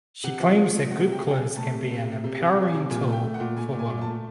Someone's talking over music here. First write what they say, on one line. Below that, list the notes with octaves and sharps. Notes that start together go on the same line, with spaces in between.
She claims that good clothes can be an empowering tool for women.
C3 F#5
F3
F3
A3
C3 F#5
C3
G5
C3 G5
G#5
C3
A3 A5
C3
C3
C3
C3
C3
F#5
C3
G#5
C3
A#2 G#5
A3
G5
A3
F#5
A#2
A3 G#5
A#2
G#5
A#2
A5
A3